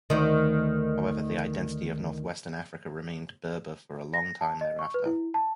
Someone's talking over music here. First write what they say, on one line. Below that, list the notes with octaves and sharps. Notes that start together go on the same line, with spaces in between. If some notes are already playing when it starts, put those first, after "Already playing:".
However, the identity of northwestern Africa remained Berber for a long time thereafter.
D2 D#3
A#6
A5
D#5
C#6
B4
E4
A5